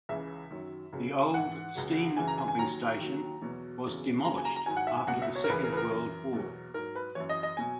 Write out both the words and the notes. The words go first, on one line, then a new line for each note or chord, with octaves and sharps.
The old steam pumping station was demolished after the Second World War.
C#2 C#3 E3 E5
F#2 D#3 F#3
C#2 C#3 F#3
G#2 E3 F#5
C#2 C#3 F#3
F#2 C#3 E3 G#5
A#5
G#5
G#5
D#2 D#3 F#3 A#5
D#2 D#3 F#3
E2 B2 F#3
E2 C#3 F#3
D#2 C#3 F#3 A#5
G#5
A#5
A#5
G#2 D#3 F#3 G#5
F#5
E5
G#5
C#2 B2 F#3 F#5
E5
C#5
A#4
C#2 C#3 E3 B4
A#4
B4
A#4
F#2 E3
E2 B2 F#3
G#2 F#3 A#4
B4
F#2 E3 C#5
D#5
D#5
B2 F#3 G#5